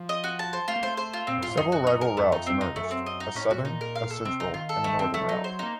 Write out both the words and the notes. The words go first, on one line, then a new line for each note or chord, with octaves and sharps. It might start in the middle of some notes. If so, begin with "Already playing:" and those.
Several rival routes emerged: a southern, a central, and a northern route.
Already playing: F3
D#5
F#4
A5
C5
A3 F4
A#3
A3 C5
C5
F4
A#2 C4
F#2
F4
A2
F#2 D#4
F#4
D#4
A#4
F2 A3
D#4
C4
D#4
F#2 A3
C4
D#5
D#4
A2 C#4
A#2 F#4
D#4
A#4
F5
A4
C3 C4
D#4
D#3 F4
A4
A3
C4
F#3 A3
F3
F#3 D#4
C5
A#3 D#4